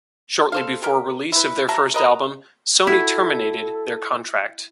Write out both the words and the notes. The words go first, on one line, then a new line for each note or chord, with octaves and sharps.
Shortly before release of their first album, Sony terminated their contract.
A4 C5 F5
G4 A#4
E4 B4
F#3 E5 A5 A#5
A#4 B4 D#5 A#5
E4 F#4 A4